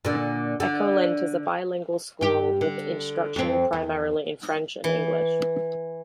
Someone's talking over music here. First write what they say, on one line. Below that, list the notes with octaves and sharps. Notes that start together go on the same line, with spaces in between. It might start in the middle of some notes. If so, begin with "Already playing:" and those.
Ecolint is a bilingual school, with instruction primarily in French and English.
A#2 D3
D3
G2 G4
D3
F2 C4
E2
E3